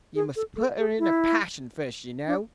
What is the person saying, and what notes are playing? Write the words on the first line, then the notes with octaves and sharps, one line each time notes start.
You must put her in a passion first, you know.
G#4
A4
A4
G#4
E4
D4